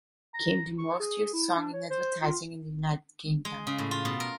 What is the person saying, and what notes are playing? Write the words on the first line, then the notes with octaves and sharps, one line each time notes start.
It became the most-used song in advertising in the United Kingdom.
A#5
C#6
G#4
E4
D4
C#5
C5
F4
G#3
C#3
A2
F4
B2
A#4